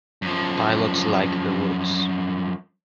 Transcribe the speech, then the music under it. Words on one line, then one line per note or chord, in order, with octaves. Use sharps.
Pilots like the woods.
F#2 F3